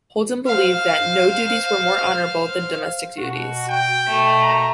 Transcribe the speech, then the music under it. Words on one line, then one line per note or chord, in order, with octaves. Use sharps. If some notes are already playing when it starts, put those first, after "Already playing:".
Holden believed that "no duties were more honorable than domestic duties".
C5 F5
B2 F#4
G5
B2 A3
A#5